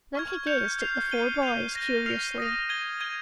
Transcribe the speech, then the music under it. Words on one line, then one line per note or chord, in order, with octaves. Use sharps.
Then he gazed at the four boys curiously.
C#6 F6 G#6
G6 C#7 F7
F6 C7 F7
G6 C7 D#7 G7
G6 C7 F7
G6 A#6 D#7 G7
F6 C7 F7
D#6 A#6 D#7
G#6 D#7 G7
G#6 D#7 G7